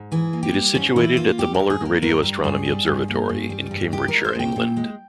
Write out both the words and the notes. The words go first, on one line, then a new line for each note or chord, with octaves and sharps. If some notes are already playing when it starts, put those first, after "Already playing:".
It is situated at the Mullard Radio Astronomy Observatory in Cambridgeshire, England.
Already playing: G#2
E3 G#4
A#3
G4
G3
G#2 C#4
E3 E4
A#3 F4
G3 G4
A#4
G2
G#4
A#3 A#4
G2 A#4
G3 A#4
G2 G#4
G3
G2
A#3
G2
G3
G2
G#3 G4
A#4
G#3
C5
A#2 G5
A#2
G#3